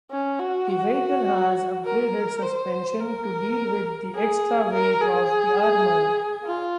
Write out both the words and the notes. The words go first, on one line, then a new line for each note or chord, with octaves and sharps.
The vehicle has upgraded suspension to deal with the extra weight of the armour.
C#4
F#4
F#4
A#4
C5
A#4
G#4
A#4
G#4
F4